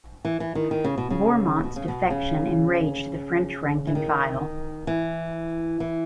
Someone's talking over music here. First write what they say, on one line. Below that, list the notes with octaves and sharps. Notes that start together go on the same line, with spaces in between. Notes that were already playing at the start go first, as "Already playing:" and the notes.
Bourmont's defection enraged the French rank and file.
E3
E3
D#3
D#3
C#3
B2
C#3
B2
C#3
B2
C#3
E3
D#3
E3
E3